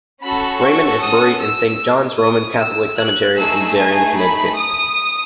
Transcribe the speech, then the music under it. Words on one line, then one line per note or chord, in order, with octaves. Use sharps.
Raymond is buried in Saint John's Roman Catholic Cemetery in Darien, Connecticut.
C#4 F#4 A4 B5
C#6
D#6
E6
D#6
E6
F#6
A3 D#4 G#4 E6
G#5
B5
D#6